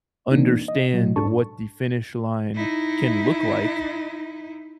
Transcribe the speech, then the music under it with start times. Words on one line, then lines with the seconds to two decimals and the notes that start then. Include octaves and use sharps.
understand what the finish line can look like,
0.31 B2 E3 A#3 C4 D4 D#4
0.68 D#5
0.93 B2 F#3 F#4
1.16 G#2 D4 A4 A5 C#6
2.55 D#4 E4